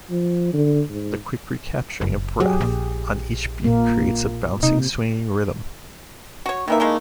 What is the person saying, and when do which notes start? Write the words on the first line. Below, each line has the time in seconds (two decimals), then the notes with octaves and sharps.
The quick recapturing of breath on each beat creates a bouncing, swinging rhythm.
0.10 F3
0.54 D3
0.90 G#2
2.01 F#1
2.40 F#3 G4 G#4
2.61 A#1
3.64 A#2 A#3
4.63 C3 D#4
6.46 F#4 C#5
6.68 D#3 E3 A#3 D#4 E5
6.80 G#3 A3 E4